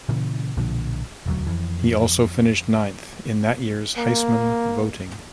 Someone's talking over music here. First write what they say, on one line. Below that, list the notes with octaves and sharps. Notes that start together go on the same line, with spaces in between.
He also finished ninth in that year's Heisman voting.
A#2 C#3 E3
B1 A#2 D3 F3
E1 D2 F#3
F2 E3
A#3